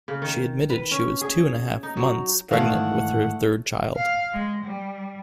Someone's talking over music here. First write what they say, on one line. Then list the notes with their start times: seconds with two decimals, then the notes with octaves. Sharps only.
She admitted she was two-and-a-half months pregnant with her third child.
0.08 C#3
0.22 D#3
0.70 B4
0.91 C#4
1.21 G#4
1.83 D#4
1.97 F#3
2.51 G#2 D#3 E3 A3 D4 E4 F5 F#5
3.96 F5
4.33 G#3
4.64 G3